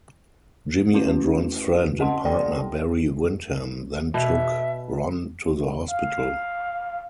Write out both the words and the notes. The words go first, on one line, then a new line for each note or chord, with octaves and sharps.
Jimmy and Ron's friend and partner Barry Windham then took Ron to the hospital.
A3 C#4 E4 F#4 B4
C4 C#4 D#5 F#5 A5 C6
G4 A4 D5 G5
B2 E5
F5